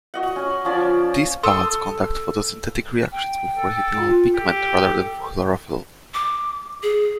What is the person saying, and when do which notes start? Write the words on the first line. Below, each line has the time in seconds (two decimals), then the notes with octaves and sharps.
These parts conduct photosynthetic reactions with retinal pigment rather than chlorophyll.
0.14 F#4 D#5 F#5
0.36 C#4 G#5
0.65 F3 C#4 D5
1.43 A4 C6 D#6 E6
3.12 G5
3.57 A4
3.99 F4
4.36 G4 A4
6.14 D6
6.83 G#4